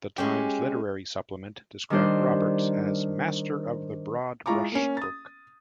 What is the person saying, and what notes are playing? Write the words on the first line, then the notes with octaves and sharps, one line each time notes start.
"The Times Literary Supplement" described Roberts as "master of the broad brush-stroke".
G#3 C#4 G4
D#3 G3 D4 C5
G#3 E4 F4 A#5 C#6 D6
A#3 C#4
D#6 A6